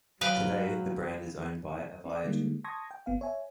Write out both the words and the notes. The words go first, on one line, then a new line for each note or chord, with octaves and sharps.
Today the brand is owned by Aviagen.
F#3 B4 F5 G5
C4 D5
D3 G3 G#3 A#3 D#4
A5 C6 C#6 D#6 G#6 A#6
G5
G1 B3 F5
C#5 E5 G#5